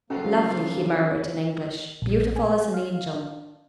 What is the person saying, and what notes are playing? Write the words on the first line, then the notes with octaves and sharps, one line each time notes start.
"Lovely!" he murmured, in English; "beautiful as an angel!"
C#3 F3 F#3 A#3 C#4 F4 F#4 A4
A#1
G#5
F5
D4